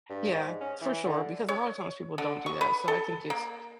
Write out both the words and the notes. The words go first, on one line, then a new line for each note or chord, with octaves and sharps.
Yeah, for sure, because a lotta times people don't do that, so, I think it's
G2
G#2
C#4
E3
D3
C#5
D3
C#6
B4
A4
A#3